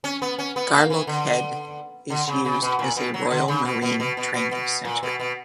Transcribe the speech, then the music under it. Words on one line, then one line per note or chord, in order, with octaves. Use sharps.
Garelochhead is used as a Royal Marine training centre.
C#4
B3
C#4
B3
A#3
E3
D3
D3
C#3
C#3
B2
A#2
B2
F#3
D3
C#3
B2
B2
B2
B2
B2
B2
A#2
B2
B2